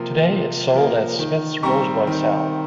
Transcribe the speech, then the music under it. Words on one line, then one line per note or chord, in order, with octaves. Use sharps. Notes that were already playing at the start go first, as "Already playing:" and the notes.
Today it's sold as Smith's Rosebud Salve.
Already playing: C3 F3 A#3 C6
C3
F3 A#3
D#3
G3 C4 A#5 C#6
D#3